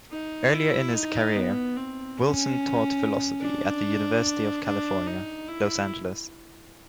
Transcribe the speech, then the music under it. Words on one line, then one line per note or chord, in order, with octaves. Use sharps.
Earlier in his career, Wilson taught philosophy at the University of California, Los Angeles.
D#4
E4
D#4
B3
C4
C#4
D4
D4
D#4
E4